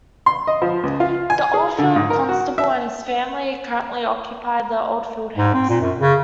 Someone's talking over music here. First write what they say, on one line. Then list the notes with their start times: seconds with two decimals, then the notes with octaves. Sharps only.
The Old Field Constable and his family currently occupy the Old Field house.
0.26 C6
0.47 D#5
0.62 F3
0.83 C#2
1.00 F4
1.30 G#5
1.54 G#4
1.78 D3
1.96 G#2
2.10 A#4
2.29 F#4
2.58 E5
5.37 G#2
5.54 C4
5.69 A#2
5.81 F#2
5.99 C#3